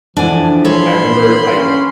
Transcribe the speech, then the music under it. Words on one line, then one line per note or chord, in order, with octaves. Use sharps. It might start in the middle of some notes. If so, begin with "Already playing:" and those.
I remember I
D3 E3 F3 D4 G#5
A4 C#5 B5 C6
C#4